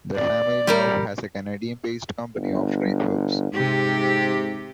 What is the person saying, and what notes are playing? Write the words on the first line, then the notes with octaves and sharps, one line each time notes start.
The family now has a Canadian-based company offering herbs.
D5
G3 G4 A#4
G1
G#2 C3 G4